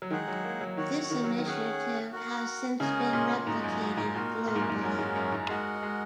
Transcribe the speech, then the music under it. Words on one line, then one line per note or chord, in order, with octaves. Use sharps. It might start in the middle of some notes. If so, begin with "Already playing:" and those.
This initiative has since been replicated globally.
F#3
D#3 G#3 D#4 G#4 F#5
F#3
A#3
F#3
D#3 F#4 C#5 F#5
D#3
F#3
D#3
C#4 G#4 F#5
F#4 A#4 F#5
C#3 G#3 C#4 A#4 D#5 G#5
A#2
G#2 D#4 F#4 D#5
F#2
F#2
G#2
A#2 D#4 F#4 A#4
A#2
G#2
F#2
G#2
F#2 G#3 C#4 F#4 A#4
G#2
F#2
G#2
G#3 F#4 A#4 D#5 F#5
G#3